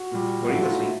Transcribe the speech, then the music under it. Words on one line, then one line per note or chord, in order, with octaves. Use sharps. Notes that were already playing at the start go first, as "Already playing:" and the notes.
Were you asleep?
Already playing: F#4
A#2 G3
A2 F#3 A3 F#4
E4
F4
D#4
E4